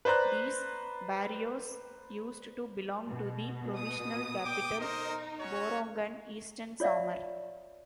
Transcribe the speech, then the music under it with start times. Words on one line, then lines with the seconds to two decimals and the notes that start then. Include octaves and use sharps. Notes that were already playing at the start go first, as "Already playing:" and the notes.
These barrios used to belong to the provincial capital Borongan, Eastern Samar.
0.05 B4 C5 D5 A#5 F#6
3.07 B2
3.76 D#6
4.45 G5 D6
4.79 D#4 A#4 C5 D#5
5.40 C#4 F#4 C#5
6.80 F4 C#5 D5 E5 F5